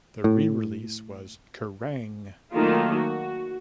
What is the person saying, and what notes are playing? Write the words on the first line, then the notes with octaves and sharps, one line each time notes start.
The re-release was Kerrang!
A2
D#3 F#3 A3 A#3 D#4 F4
F#4